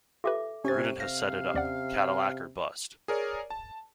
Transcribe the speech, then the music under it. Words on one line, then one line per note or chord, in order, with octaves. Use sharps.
Gruden has set it up, Cadillac or bust.
F4 G4 A4 B4 E5 D6
C3 C#4 G4 C5 G#5 A6
C3 F5 A#6
D#2 C#4 D5 F#5
G#4 A#4 C#5 D5
A5